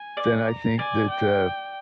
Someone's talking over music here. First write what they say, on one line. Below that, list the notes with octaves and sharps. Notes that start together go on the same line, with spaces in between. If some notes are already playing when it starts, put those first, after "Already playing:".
then I think that, uh
Already playing: G#5
D5
A#5
D5 G#5
G5